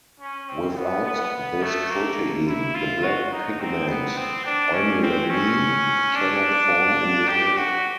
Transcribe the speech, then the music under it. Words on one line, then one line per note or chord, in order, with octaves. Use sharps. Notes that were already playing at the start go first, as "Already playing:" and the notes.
Without this protein, the black pigment eumelanin cannot form in the hair.
C#4
C4
B3
B3
A3
A#3
E4
F4
F#4
D#4
C4
B3
C4
D4
C#4
C4
C#4
D4
G4
F#4